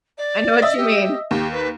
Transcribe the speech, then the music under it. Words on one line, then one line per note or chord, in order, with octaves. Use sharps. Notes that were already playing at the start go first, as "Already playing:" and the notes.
I know what you mean,
D5
D#5 E5 E6
G4
D#2 G4
B4